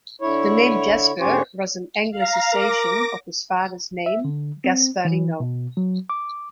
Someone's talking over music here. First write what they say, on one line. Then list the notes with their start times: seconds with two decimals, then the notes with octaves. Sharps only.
The name Jasper was an anglicisation of his father's name, Gasparino.
0.21 D3 E4 C#5
1.20 D2 G#2 C#4 G4 C5 C#5
2.11 F5 A#5
2.52 A#4 D6 A#6
4.06 E5
4.25 D3
4.64 C4
5.05 E3
5.40 B2
5.77 F#3
6.10 D6